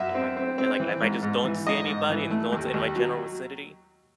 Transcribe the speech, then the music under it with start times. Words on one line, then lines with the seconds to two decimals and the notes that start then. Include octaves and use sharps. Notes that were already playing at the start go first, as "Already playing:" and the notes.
and, like like, if I just don't see anybody and no one's in my general vicinity,
Already playing: F#2 E5
0.15 C4
0.37 C4
0.58 C4
0.80 E3
1.01 G#2
1.23 G#2
1.45 E3
1.66 G#2 D#5
1.88 G#2
2.10 E3
2.31 A3
2.52 D#2
2.74 D#2
2.95 F#3